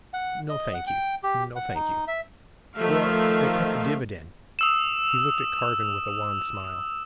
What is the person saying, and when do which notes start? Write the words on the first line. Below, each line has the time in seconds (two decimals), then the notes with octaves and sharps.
'No, thank you; no, thank you--Well--they cut the dividend.' He looked at Cargan with a wan smile.
0.14 F#5
0.49 D#5
0.74 F#5
0.87 G5
1.23 G4
1.56 F#5
1.75 D#4
2.08 E5
2.76 D#3 F3 A3 E5 F5
4.59 D#6 E6 E7